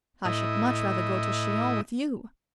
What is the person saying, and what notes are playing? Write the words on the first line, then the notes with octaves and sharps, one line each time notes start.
"I should much rather go to Chillon with you."
A2 E4 D#5